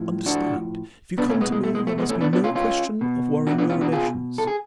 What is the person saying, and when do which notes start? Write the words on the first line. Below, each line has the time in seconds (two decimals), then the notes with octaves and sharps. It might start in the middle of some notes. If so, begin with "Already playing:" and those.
But understand, if you come to me, there must be no question of worrying your relations.
Already playing: A2 F3
0.26 D4 F#4
1.18 B2 B3 D4
1.30 A3 C#4
1.41 G#3 B3
1.52 G#3
1.64 A3
1.75 G#3
1.87 A3
1.98 G#3 B3
2.09 A3 C#4
2.21 B3 D4
2.33 B3 D4
2.44 C#4 F4
2.55 C#4 F4
3.01 B2
3.47 D4 F#4
3.58 B3 D4
3.70 C#4 F4
3.81 D4 F#4
3.92 F4 G#4
4.38 A4
4.47 G#4